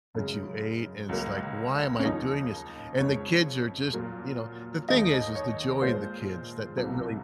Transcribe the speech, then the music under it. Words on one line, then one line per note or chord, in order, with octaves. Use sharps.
that you ate, and it's like, "Why am I doing this?" And the kids are just you know? The thing is is the joy and the kids that that really
F#2 C#3 G#3
C#2 C#3 F#3 A#3
C#4
D#2 C#3 F3 A#3 D#4
F2 C#3 G#3 C#5
A#2 F#3 A#3
D#2 D#3 G#3 D#5
C#5
A#2 G#3 C5
C2 C3 F#3